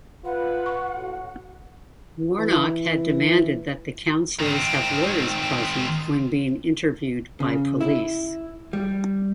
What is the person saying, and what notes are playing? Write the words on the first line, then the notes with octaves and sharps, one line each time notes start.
Warnock had demanded that the counselors have lawyers present when being interviewed by police.
F4 B4 F#5
C#6
A2 F#4
E3
D#3 C4
C#3
E4
G3